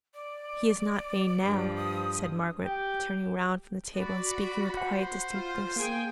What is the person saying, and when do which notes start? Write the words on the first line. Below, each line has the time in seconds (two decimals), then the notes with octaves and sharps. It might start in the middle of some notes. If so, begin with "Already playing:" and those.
'He is not vain now,' said Margaret, turning round from the table, and speaking with quiet distinctness.
0.14 D5
1.42 G2 F3
1.77 D#6
2.65 G4
3.96 F#4 D5 B5
4.77 C5 F#5
5.31 F4
5.76 A#3 G#4 G5 G#5